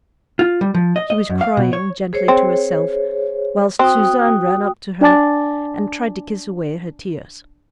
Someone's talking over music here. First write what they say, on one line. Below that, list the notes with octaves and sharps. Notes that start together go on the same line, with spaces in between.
She was crying gently to herself, whilst Suzanne ran up to her and tried to kiss away her tears.
F4
G3
F3
D#5
D#5
F#2
F5
B2
C#5
G#4 C5 C#5
C4
C4 F#4 G5 D#6
D4 D5 G#5 A5 D6 A6